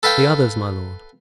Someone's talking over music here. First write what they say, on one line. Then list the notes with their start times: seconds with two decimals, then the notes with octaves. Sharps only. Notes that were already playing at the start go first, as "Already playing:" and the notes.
"The others, my lord!"
0.03 A4 B4 F5 G5